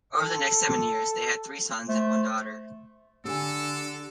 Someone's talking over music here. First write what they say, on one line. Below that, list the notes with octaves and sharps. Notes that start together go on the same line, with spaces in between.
Over the next seven years they had three sons and one daughter.
A4
A3 C5
D3 G4 A4 G#5 E6